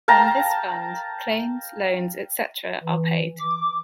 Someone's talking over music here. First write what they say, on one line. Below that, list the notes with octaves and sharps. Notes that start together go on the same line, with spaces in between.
From this fund claims, loans, etc., are paid.
F5 G5 A5 A#5
E3
D6